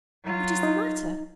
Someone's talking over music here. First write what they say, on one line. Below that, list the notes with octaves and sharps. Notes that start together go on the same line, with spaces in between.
'What is the matter?
F#3 F4
D#4